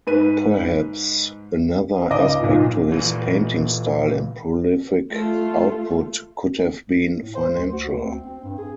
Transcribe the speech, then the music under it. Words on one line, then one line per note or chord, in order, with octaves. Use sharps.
Perhaps another aspect to his painting style and prolific output could have been financial.
G#2 B4 D#7
C#2 D#5 D6
B1 A#2
A#2 E3
A3 F4
A2
C5
D2
F#4
D2
C4
C4
G2
G#4